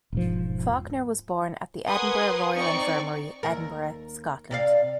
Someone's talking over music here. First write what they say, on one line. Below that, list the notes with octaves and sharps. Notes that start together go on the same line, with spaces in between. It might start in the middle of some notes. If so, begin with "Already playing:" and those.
Faulkner was born at the Edinburgh Royal Infirmary, Edinburgh, Scotland.
E1 G#2 F3
A#4 B4 F#5 G#5 C6 D#6
C4 D#4 D5 C#6
D#2 A#4
C3 D5 F5